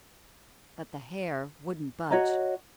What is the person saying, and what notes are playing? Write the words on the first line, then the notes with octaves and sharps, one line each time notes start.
But the hair wouldn't budge.
F#4 C#5 D#5 A#5